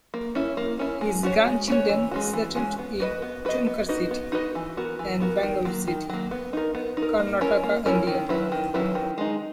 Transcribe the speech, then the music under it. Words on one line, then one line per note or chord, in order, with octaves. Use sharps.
His grandchildren settled in Tumkur City and Bangalore City, Karnataka, India.
A#3
C#4 E4
A#3
C#4 E4
G#3
C#4 F#4 C#5
G#3
C#4 F#4 C#5
E3
G#3 C#4 F#4
E3
G#3 C#4 F#4
B3
F#4 B4 D#5
B3
F#4 B4 D#5
B3
D#4 F#4 B4 D#5
B3
D#4 F#4 B4 D#5
E3
B3 F#4 A#4
E3
B3 F#4 A#4
D#3
F#3 A#3
D#3
F#3 A#3
B3
D#4 A#4
B3
D#4
A#4
A#3
C#4 E4 A#4 C#5
A#3
C#4 E4 A#4 C#5
D#3
F#3 C#4 E4 B4
D#3
F#3 C#4 E4 B4
D#3
G#3 D#4